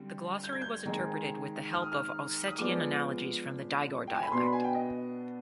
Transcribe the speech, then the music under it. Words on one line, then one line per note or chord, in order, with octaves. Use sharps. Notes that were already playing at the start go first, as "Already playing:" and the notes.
The glossary was interpreted with the help of Ossetian analogies from the Digor dialect.
Already playing: D3 G3 C4
G6
G#6
G6
D#3 G#3 C4 D#4
F6
D#6
F6
D#6
F3 G#3 B3 D4 D6
G5
G#5
B5
B2 B3 D4 C6
B5
G#5
G5
D#5